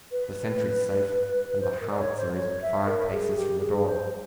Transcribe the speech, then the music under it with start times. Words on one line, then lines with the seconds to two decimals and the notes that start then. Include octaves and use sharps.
The sentry's safe, and the howitzer is but five paces from the door.
0.12 B4
1.61 C5
1.80 A#4
1.90 D5
1.99 C#5
2.17 C5
2.36 C#5
2.62 E5
2.86 A#4
3.12 G#4
3.36 G4
3.61 G#4
3.86 C5